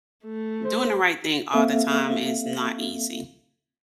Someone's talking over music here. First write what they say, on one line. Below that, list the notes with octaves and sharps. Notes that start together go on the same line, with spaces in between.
doing the right thing all the time is not easy,
A3
C5
A#3 C4 A4 E5 F5